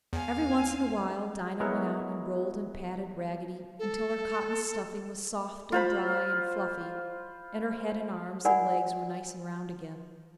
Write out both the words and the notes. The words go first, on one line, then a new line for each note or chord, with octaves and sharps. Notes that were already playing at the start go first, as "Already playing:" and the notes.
Every once in a while Dinah went out and rolled and patted Raggedy until her cotton stuffing was soft and dry and fluffy and her head and arms and legs were nice and round again.
E2 F5 G#5
F#3 G#3 B3 E4 A#4 C#5
A4
F4 C5 B5
A#4 D5 F#5 G#5 B5